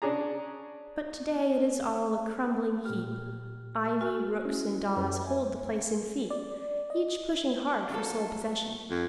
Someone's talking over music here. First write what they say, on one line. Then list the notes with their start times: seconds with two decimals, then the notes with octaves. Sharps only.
But today it is all a crumbling heap; ivy, rooks and daws hold the place in fee, each pushing hard for sole possession.
0.02 C#4 D4 G#4 A#5
2.86 A#2 G4 F6
4.01 F#4 G#5 F6
4.45 C#4 E4
4.96 F#2 A4 B4 C#5
5.24 E5 G#5
6.30 D5
6.90 D#5
7.89 F#3 F4 A4
8.90 F2